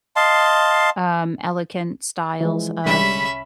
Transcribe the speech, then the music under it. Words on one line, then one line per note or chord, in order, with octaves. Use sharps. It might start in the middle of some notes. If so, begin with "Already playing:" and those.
um, elegant styles of
D#5 F5 A5 C6
E3 F3 G#3
C2 D3 G3 G#3 C#4 E5 B5